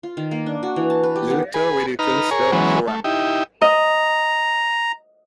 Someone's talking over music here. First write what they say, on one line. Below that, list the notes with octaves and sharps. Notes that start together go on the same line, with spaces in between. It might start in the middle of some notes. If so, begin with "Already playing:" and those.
Luthor ridicules the poem.
F4
D#3
A#3
D4
F#4
E3
A5
B4
G4
B3
G#4 B4
D#4 B4 A#5 F6
G#4 A#4 C#5
E3 F#3 G#3 B3 C#4
A3
D#4 E4 G4
D#5 A#5